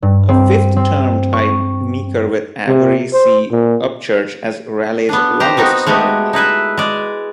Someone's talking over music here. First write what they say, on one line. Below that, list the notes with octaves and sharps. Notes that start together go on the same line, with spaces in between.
A fifth term tied Meeker with Avery C. Upchurch as Raleigh's longest-serving mayor.
G2
C4
C4
C#6
C3
C5
A#2
B3 D4
G4 C5 A#5
B3 C4 D#4 F#4
G#3 A3 B3 F#4 G4
D#4 E4 B4 E5
G#3 D5